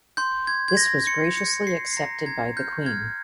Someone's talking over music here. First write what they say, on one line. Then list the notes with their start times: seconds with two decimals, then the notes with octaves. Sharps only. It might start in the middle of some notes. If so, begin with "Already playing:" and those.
This was graciously accepted by the Queen.
0.17 C6 G6
0.47 G6 G#6
0.68 G#6
0.77 C6 A#6
1.07 C6 C#7
1.37 G6 C#7
1.67 C6 C7
1.93 C7
1.97 A#5 A#6
2.26 A#5 G#6
2.56 F6 G6
2.86 F6 G#6